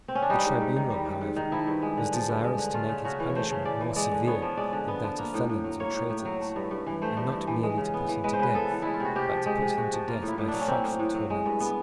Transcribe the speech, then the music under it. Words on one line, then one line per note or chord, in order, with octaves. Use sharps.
The tribunal, however, was desirous to make his punishment more severe than that of felons or traitors, and not merely to put him to death, but to put him to death by frightful torments.
C4
C#4
D4
G3 D#4
G#2
G#2
D#3
G3
G#2
G#2
D#3
F3 E4
G2
G#3
D3
F3
G2
G#3
D3
A3 F4
C#3
C#3 F#4
E3
C#5
A3 C5
C#3
C#3 D5
E3
G#3 D5
D3
B3 C#5
F3
G#3 D5
D3
B3
F3
A#3
A2
A2
F#3
A#3 C#5
A2
A2
F#3
A3
G2
G2
E3
A3 C5
G2
G2
E3
G#3
C#3
B3
E3
G#3 B4
C5
C#3 B4
B3 A4
E3
G#3 E4
F4
C3 F#4
C3 G4
F3
G#3 G4
C3
C3 F#4
F3
A#3 F4
A2
E4
A2
D4
F#3
C#4
A#3 C4
A2
A2
F#3
G#3
G2
B3